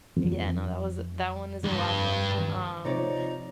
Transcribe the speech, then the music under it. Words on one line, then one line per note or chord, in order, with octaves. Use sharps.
Yeah, no, that was that one is a wild one. Um,
F2
G2
C3 F3 D#4 C#5 D5